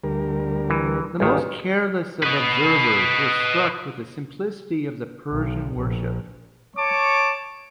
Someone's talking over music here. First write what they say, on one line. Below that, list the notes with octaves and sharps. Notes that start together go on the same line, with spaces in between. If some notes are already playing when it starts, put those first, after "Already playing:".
The most careless of observers were struck with the simplicity of the Persian worship.
D2 G3 A#4
E3
A1 D#3 F4 G4 G#4
B4 D#5
B1
A#1
C#5 A5 C#6 D6